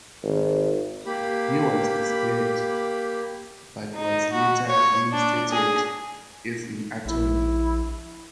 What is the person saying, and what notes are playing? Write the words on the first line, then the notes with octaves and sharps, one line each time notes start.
He was disbarred, but was later reinstated, as an attorney.
G#1
A#3 G4 B5
D#4
F#4
C#5
D4
G#4
A#1 E4